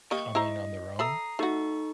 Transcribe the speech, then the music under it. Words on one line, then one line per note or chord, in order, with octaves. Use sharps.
come in on their own,
A#3 G4 D#5 C#6
E4 C5 D#5 A#5
A4 E5 A#5 B5 D#6 C7
A3 D#4 F#4 A4 C#6